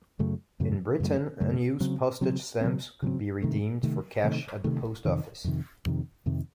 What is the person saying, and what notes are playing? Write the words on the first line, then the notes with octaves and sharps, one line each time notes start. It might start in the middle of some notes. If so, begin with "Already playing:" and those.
In Britain unused postage stamps could be redeemed for cash at the post office.
F#2 C#3 F#3 A3
F#2 C#3 F#3 A3
F#2 C#3 F#3 A3
F#2 C#3 F#3 A3
C#3 F#3 C4
C#3 F#3 C4
C#3 F#3 C4
C#3 F#3 C4
C3 D#3 A3
C3 D#3 A3
C3 D#3 A3
C3 D#3 A3
F2 C3 D#3
F2 C3 D#3
F2 C3 D#3
F2 C3 D#3